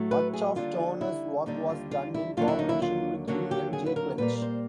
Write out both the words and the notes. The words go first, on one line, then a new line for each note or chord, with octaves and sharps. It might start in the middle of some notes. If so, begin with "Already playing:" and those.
Much of Turner's work was done in co-operation with William J. Clench.
Already playing: A2 F#3 A3
B4
G#4
D#2 D3 G3 F4
E4
D#2 D3 G3 D#4
F4
F4
E4
D#2 D3 F#3 A#3 F4
E4
D#4
E4
F4
D#2 D3 F#3 A#3 F#4
G4
G#4
B4
A#4
A#2 G3 A#3 B4
C5